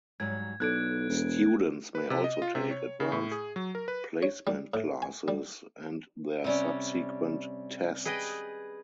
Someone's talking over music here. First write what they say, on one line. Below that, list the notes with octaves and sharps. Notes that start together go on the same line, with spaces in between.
Students may also take Advanced Placement classes and their subsequent tests.
G#2 F#3 G3 G#6
B1 E4 A4 D5 F#6 G#6 D7
E1
B4
C3
D#5
F4
C3
C#5
C#3
A2
G#4
F#3
A#4
B4
C#5
G3
A2
G#5
G3
C3 G3 C#4
G#4 B4 D#5 G5